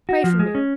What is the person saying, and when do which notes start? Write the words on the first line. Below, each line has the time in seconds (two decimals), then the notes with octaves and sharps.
Pray for me!
0.09 F#4
0.24 F3
0.39 G#3
0.55 C#4